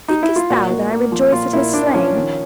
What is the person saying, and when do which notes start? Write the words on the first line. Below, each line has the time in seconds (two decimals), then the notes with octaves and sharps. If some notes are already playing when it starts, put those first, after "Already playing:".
Thinkest thou that I rejoice at his slaying?
0.08 D#4
0.23 E4
0.36 F4
0.50 A#2 F#4
0.70 A#2
0.91 A#3
1.12 F3
1.32 A#2 F4
1.53 A#2 E4
1.74 A#3 D4
1.94 F3 C#4
2.15 D#3